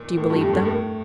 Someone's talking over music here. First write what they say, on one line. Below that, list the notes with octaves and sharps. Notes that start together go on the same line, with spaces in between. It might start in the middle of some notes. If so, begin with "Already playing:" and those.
"Do you believe them?"
Already playing: A#2 D#3
A2 A#4
G2 F4
F2 G4
G2 A4
A2 A#4